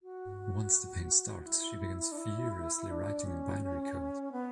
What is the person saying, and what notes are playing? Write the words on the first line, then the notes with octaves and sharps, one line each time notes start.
Once the pain starts she begins furiously writing in binary code.
F#4
E4
D4
E4
D4
C#4
B3